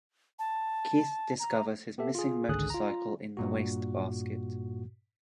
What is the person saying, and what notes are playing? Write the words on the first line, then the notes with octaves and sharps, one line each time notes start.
Keith discovers his missing motorcycle in the wastebasket.
A5
A#5
B3 G4 A4 E5
F4 G#4
G#1 C#2 D3 G#4 D#6 F#6
F4 A#5
G2 A#2 F#4